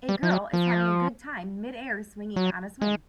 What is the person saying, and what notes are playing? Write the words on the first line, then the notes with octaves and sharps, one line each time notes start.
A girl is having a good time midair swinging on a swing.
G3
F3
F#3
F3
F#3
G#3